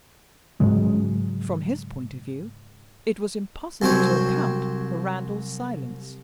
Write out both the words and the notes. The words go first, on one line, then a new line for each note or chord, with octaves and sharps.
From his point of view, it was impossible to account for Randal's silence.
G#2 C#3 F#3 G#3
C2 F#3 C4 C5 C#5